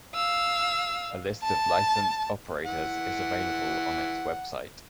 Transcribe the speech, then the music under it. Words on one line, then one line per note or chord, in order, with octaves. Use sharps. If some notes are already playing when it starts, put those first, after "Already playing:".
A list of licensed operators is available on its website.
F5 E6
A5
E3 F#5